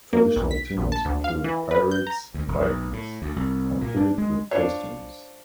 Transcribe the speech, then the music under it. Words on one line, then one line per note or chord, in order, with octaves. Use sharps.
Traditional teams include Pirates and Vikings, complete with costumes.
A#3
B1
B6
A#1
A5
D2
F5
E3
B4
G6
A#5
D2
E1
B1
A2
D2
C2
A#2
D4
G#3
D4 F4 C5 C#5